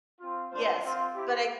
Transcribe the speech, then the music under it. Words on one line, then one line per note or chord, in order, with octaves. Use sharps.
Yes, but I
C4 F4
A3 D4 F4 C5
C4 F4
C4 E4 G4